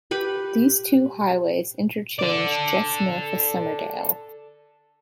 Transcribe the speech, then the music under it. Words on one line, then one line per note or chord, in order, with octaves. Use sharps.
These two highways interchange just north of Summerdale.
G4 B4 B5
A4 D5